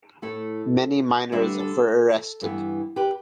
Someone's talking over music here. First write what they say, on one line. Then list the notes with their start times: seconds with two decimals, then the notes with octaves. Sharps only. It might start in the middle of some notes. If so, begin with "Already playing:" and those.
Many miners were arrested.
0.22 A2 A3 E4 A4
1.32 D2 D3 G3 D4 B4 E5
1.60 A4
2.41 G2 E3 B3 E4
2.96 G4 B4